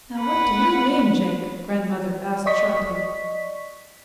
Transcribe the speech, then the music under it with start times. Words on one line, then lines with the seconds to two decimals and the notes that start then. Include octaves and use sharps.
"Now what do you mean, Jake?" grandmother asked sharply.
0.18 B4 F#5
2.46 D5 D#5 C#6 B6